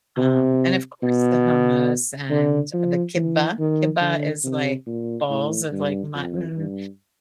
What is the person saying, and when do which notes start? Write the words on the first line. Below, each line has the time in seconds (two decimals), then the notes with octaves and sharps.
Um, and, of course, the hummus and the كِبّة. كِبّة is, like, balls of, like, mutton
0.17 C3
1.03 B2
2.30 D3
2.73 F3
3.16 E3
3.59 D#3
4.01 D3
4.44 C3
4.87 A#2
5.30 A2
5.72 G2
6.14 F2
6.57 G2